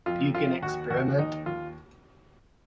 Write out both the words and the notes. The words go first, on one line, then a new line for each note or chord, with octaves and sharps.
You can experiment.
F2 F4
F2 F4
D#2 F#4
D#2 F#4
D#2 D#4
D#2 F4